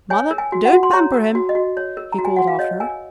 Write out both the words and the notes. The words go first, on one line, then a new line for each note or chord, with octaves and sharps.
"Mother, don't pamper him," he called after her.
C#5 G#5
A#4
G#5
F#4
F#5
F#4
C6
C#5 A#5
A#4
F#4
D#5
F#4
C#5
A#4
A#5
F#4
G#5
F#4 F#5
F5
C#5 D#5
A#4 G#5